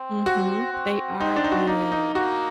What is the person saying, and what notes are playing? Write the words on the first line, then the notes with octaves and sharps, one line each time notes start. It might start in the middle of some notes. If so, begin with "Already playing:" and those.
Mhm, they are good.
Already playing: C4
F#4
C4
C4 D#4
D4
D#4
F#4
A#3 D#4
D#4
A#3 F#4